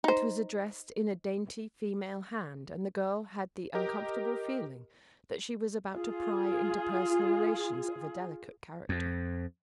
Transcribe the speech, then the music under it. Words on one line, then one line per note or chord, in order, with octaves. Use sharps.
It was addressed in a dainty, female hand and the girl had the uncomfortable feeling that she was about to pry into personal relations of a delicate character.
D#4 C5
G4 A#4 D#5 A#5
F4 G#4
F2